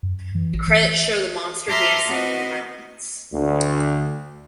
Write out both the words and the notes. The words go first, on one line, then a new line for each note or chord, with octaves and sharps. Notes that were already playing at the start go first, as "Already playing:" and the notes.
The credits show the monster dancing in the mountains.
F#2
E3
A1
E3
E5 A5 A#5 C6 D6 F6
B3 C4 F#4 D#5
D2